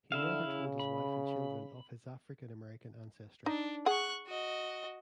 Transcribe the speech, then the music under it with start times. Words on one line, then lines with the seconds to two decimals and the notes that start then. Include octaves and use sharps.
He never told his wife and children of his African American ancestry.
0.12 D3 E4 E5 F5
0.46 C#3
0.79 B5
3.46 D4 D#4
3.86 G#4 F#5 C#6 F#6
4.27 F#4 D#5